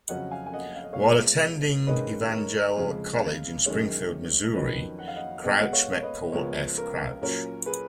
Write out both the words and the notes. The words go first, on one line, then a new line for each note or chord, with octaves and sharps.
While attending Evangel College in Springfield, Missouri, Crouch met Paul F. Crouch.
F2 C#3 F#3 C#4 D#5 F#5
F5 G#5
G#5
D#5 F#5
F5
D#5
C#5 F5
A#2 G#3 B3
G#2 D#3 G#3 C#4 B4 D#5
A#4 C#5
F2 C#3 G#3
F#2 D#3 G#3 C#4
F2 D#3 F#3 C#4 B4 D#5
F#5
F5
D#5 F#5
B2 G#3 B3 D#5 F#5
F#5
C#5 F5
C#5
B4 D#5
C#2 C#3 F3 B3 A#4 C#5
A#4
A#2 F#3 C#4 A#4
G#4 B4